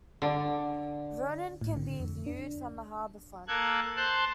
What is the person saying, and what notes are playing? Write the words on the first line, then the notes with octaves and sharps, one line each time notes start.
Vernon, can be viewed from the harbor front.
D3
A2
D3
F2
D4
A#3 A4 F#6 G#6
C5 A5 C6 F#6 G6